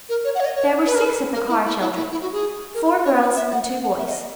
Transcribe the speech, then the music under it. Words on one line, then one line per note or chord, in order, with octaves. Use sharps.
There were six of the Carr children--four girls and two boys.
A#4
C#5
F#5
C#5
D#5
C#5
B4
A#4
B4
A#4
E4
E4
E4
E4
E4
F#4
G#4
A#4
C#5
B4
E5
F#5
F#5
F#5
E5
D#5